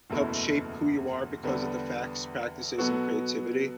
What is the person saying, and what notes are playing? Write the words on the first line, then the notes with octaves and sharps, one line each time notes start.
help shape who you are because of the facts, practices, and creativity
F#1 E2 B2 A3 E4
E2 D3 G3 B3
B2 F#3 B3 F#4 A4